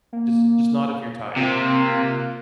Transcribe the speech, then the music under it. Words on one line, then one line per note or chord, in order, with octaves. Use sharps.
Just just not if you're tired,
A#3
C3 A#3 C4 F4
F#6